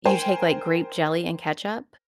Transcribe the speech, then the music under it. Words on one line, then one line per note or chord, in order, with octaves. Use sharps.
you take, like, grape jelly and ketchup
A#4 C5 G5 G#5